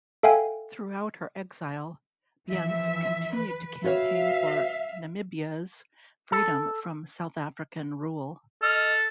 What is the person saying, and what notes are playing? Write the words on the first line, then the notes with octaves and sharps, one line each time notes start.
Throughout her exile, Bience continued to campaign for Namibia's freedom from South African rule.
A4 E5 F5 G5 G#5
E3 F3 E5
B4
F#4 B4 C#5 E5 F5
A4
A4 D#5 F6